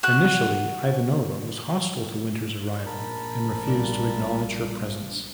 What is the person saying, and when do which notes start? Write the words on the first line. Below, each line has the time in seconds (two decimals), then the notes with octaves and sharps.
Initially, Ivanova was hostile to Winters' arrival and refused to acknowledge her presence.
0.03 F#4 F#6
2.86 A#1 A#4 A5 B5
3.67 G2 B2 D4